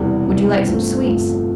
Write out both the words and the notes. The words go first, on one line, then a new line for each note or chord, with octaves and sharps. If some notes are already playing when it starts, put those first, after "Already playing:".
Would you like some sweets?
Already playing: E1 E2 C3 G3
E1 E2 C3 G3
G1 G2 F3 A3 C4
G1 G2 F3 A3 C4